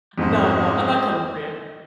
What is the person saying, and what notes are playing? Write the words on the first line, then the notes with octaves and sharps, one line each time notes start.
No, no, I'm not coming for you.
F2 G#2 G#3 C#4 G#4 C5 D#5